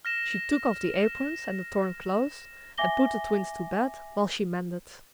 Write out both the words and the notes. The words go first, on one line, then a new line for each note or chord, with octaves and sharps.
She took off the aprons and the torn clothes and put the Twins to bed while she mended.
F6 A#6 E7
E5 G#5 D6 A#6 G7